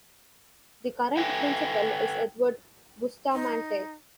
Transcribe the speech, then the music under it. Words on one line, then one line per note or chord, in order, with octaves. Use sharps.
The current principal is Edward Bustamante.
A4 B4 E5 G5 G#5
D#4